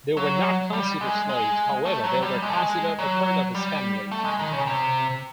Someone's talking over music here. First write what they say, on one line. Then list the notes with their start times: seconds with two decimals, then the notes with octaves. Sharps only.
They were not considered slaves; however, they were considered a part of his family.
0.17 F#3
0.73 G3
1.01 G#3
1.29 G#3
1.85 A3
2.04 F#3
2.23 G3
2.42 G#3
2.50 A3
2.56 G#3
2.99 F#3
3.55 G3
4.11 A3
4.24 G#3
4.39 D#3
4.53 C#3
4.67 C3